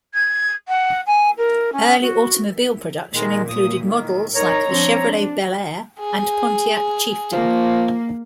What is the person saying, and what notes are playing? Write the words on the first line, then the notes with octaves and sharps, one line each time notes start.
Early automobile production included models like the Chevrolet Bel Air and Pontiac Chieftain.
G#6
F#5
G#5
A#4
C#4
F#4
A#2 D#3 G#3 A#3
D#6
D#3
D#4 A#4 C#5 A#5
F3 C4 D4
D4
G#4
F3 A#3